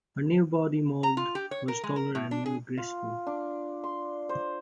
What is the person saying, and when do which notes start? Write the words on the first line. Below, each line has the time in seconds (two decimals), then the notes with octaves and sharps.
Her new body mold was taller and more graceful.
1.03 A#5
1.17 F4
1.35 G4
1.51 C#5
1.68 A#4
1.83 G#3
1.96 A#4
2.15 A2
2.31 D4
2.46 G#4
2.78 F4
3.27 D4
3.84 C6
4.29 C5